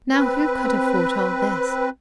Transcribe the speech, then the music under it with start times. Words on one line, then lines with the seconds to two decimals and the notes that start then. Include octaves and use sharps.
Now who could have foretold this?
0.14 C4 B4